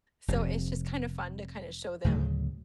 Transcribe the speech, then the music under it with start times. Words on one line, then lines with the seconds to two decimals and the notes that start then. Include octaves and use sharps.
so, it's just kind of fun to kind of show them,
0.28 F1 C3
2.04 D2 A2 C#3 F#3